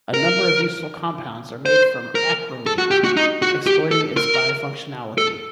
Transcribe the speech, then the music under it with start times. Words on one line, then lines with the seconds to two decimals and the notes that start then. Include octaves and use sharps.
A number of useful compounds are made from acrolein, exploiting its bifunctionality.
0.14 A#4
1.66 C5
2.15 A#4
2.66 A4
2.78 F#4
2.91 G4
3.04 F#4
3.17 D#4
3.42 F#4
3.67 G4
3.91 A4
4.17 A#4
5.18 A4